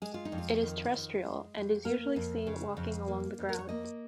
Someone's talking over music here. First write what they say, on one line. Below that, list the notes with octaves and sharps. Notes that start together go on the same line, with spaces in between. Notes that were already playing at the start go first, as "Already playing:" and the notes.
It is terrestrial, and is usually seen walking along the ground.
G#3 G#4
F4
D#4
F2
F4
D#3
F2
G#3
F2
A#3 A#4
F2
C#3
F2
A#3
F2
A#4
C#5
A#3 D#5